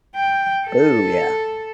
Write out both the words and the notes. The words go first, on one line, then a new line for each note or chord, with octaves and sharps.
Ooh, yeah.
G5
A4